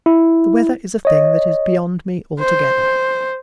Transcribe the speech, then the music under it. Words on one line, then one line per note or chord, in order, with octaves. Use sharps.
The weather is a thing that is beyond me altogether.
E4
C#5 D#5
C5